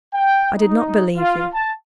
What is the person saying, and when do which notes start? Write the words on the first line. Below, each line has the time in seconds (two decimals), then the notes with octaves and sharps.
I did not believe you.
0.15 G5
0.58 D#4
1.17 F4
1.54 A5